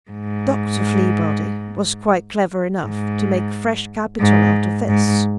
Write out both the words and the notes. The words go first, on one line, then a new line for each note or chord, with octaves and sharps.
Dr. Fleabody was quite clever enough to make fresh capital out of this.
G#2
G#2
G#2
G#2